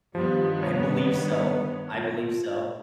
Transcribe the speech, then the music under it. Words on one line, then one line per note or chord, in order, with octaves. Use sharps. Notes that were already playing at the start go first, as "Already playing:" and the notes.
I believe so. I believe so.
G2 D#3 F3 B3 G4
B4 C#5
F4